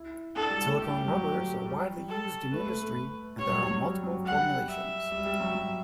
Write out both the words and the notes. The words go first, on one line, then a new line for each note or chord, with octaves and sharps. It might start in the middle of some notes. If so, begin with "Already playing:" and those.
Silicone rubbers are widely used in industry, and there are multiple formulations.
Already playing: E4
D4 A4
G3
A3
A3 G4
G3
F#3
G3
A4
A3 B4
A3
A3
G3 C#5
F#3
G3
F#3
G3
F#3
G3 F#5
E5
G3
G3
F#3
F#3